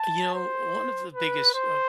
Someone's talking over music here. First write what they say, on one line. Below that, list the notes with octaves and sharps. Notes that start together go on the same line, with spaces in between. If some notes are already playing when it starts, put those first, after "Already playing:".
You know, one of the biggest, uh,
Already playing: A5
C5
B4
C5